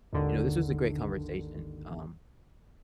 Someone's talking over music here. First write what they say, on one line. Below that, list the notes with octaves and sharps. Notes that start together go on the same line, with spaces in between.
you know, this was a great conversation, um,
G#1 D#2 D3 D#3